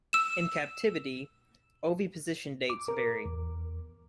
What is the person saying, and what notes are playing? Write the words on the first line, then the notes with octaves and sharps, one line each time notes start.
In captivity, oviposition dates vary.
E6 E7
D6
A#4
E2